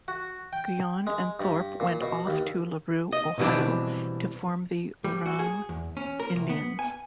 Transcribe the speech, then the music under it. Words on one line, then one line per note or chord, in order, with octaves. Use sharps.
Guyon and Thorpe went off to LaRue, Ohio to form the Oorang Indians.
F#4
G5
G#3
G2
A#2
B2
D#2
D#5
B2 E3 G3 C4 D4
G3
F#4
G#4
E2
C#4
A#4
C2
B3
G#5